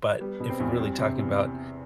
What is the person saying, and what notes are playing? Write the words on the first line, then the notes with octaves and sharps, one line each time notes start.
but if you're really talking about
G3 B3
B2
C4
E2
G3 C4
C3
E2